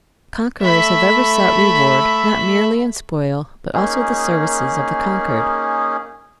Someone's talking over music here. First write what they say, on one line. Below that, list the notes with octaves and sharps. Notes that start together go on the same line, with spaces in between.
Conquerors have ever sought reward not merely in spoil, but also the services of the conquered.
A3 A4 E5 B5
A#3 C#4 D#4 G#4